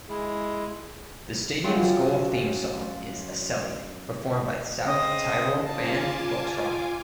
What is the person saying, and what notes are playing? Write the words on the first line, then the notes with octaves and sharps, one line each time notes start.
The stadium's goal theme song is "Esellied", performed by South Tyrol band Volxrock.
G#3 E4 G#4
F#2 F4 F#4 G5
C#3 C4 D#5 D#6
F4 G#5 A5 D6